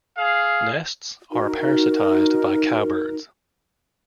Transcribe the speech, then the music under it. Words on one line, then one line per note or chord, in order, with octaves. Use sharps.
Nests are parasitized by cowbirds.
G#4 F5
D#4 F#4 A#4